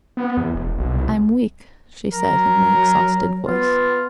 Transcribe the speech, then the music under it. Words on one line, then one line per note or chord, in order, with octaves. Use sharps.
"I'm weak...." she said in an exhausted voice.
B3
E2
E1
B1
C2
F#3 A#4
B3 F4